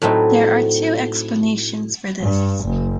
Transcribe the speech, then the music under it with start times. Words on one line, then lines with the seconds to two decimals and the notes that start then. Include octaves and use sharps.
There are two explanations for this.
0.02 A2 F#3 A3 C4 D#4
2.21 G2
2.65 F#1